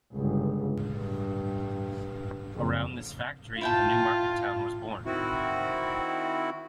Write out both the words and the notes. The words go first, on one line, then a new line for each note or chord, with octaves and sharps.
Around this factory a new market town was born.
G1 C#2
G2
F#1 F2
E4 F4 G5 A5
D#3 C4 E4 F#4